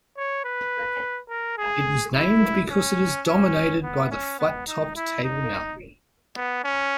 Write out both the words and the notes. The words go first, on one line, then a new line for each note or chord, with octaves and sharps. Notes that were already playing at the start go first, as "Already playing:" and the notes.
It was named because it is dominated by the flat-topped Table Mountain.
C#5
B4
A#4
G#4
E4
C#4
C#4
B3
C#4
B3
D#4
E4
D#4
B3
C#4